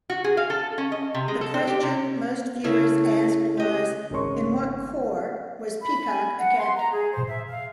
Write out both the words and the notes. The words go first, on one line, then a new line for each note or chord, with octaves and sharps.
The question most viewers asked was: in what corps was Peacock a captain?
F#4
G#4
F5
A4
C#4
D#5
C3
G#3
A4
C4
G4
C3
C#3 A3 E4 G#4
G4 D#5
G#1 C#3 A#4 C#5 C6 C#6
B5
G#5
F#5
C6
A#5
G#4
C5
E5
F5